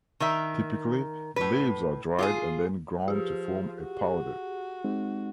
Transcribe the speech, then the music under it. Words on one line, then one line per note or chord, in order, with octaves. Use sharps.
Typically the leaves are dried and then ground to form a powder.
D#3 A#4 E5
A2 B4
F4 G4 G#4
F3 G4 G#4
F#4
G#3 C4 D#4